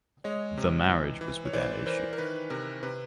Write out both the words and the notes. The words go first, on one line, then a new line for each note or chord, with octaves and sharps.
The marriage was without issue.
G#3 C#5 D#5
C3
E3
E3
C#5
E3 C5 D5
E3 A#4 C5
A#4
D#3 B4
C3 A#4
C3 B4